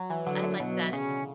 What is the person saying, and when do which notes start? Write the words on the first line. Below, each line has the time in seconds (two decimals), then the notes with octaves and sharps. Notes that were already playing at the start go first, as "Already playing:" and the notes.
I like that
Already playing: F#3
0.10 E3
0.27 D3 F#3
0.43 D3
0.60 B2 F#3
0.93 C#3 C#4